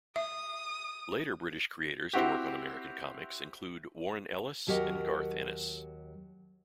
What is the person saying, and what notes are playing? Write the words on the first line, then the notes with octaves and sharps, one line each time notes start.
Later British creators to work on American comics include Warren Ellis and Garth Ennis.
E5 D#6
C4 E4 F#4 G4
D#2 F#3 G4 A#4 D#5